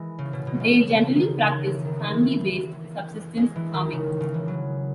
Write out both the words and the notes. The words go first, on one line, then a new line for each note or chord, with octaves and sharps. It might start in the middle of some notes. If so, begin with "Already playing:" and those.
They generally practised family-based subsistence farming.
Already playing: E3 G#3
C#3
B2
B2
C#3
D#3
C#3
E3
D#3
E3
E3
G#3
E3
D#3
C#3
C#3
E3
F#3